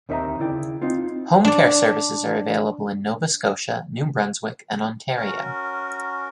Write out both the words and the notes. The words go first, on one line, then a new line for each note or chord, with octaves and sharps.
Home care services are available in Nova Scotia, New Brunswick, and Ontario.
D#2 D#3 C4 E5 G#5 A#5
C#3 E4 D5 G5
C4 D#4 F4
D4 D5
C#4 F#4 A#4